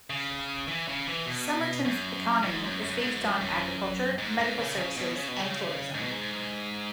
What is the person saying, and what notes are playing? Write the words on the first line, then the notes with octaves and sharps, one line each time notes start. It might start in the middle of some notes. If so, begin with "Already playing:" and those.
Somerton's economy is based on agriculture, medical services, and tourism.
C#3
E3
C#3
E3
B2
F#2
G#2
F#2
F#2
G#2
F#2
F#2
G#2
G#2
C#3
C#3
B2
C#3
B2
C#3
G#2
B2
G#2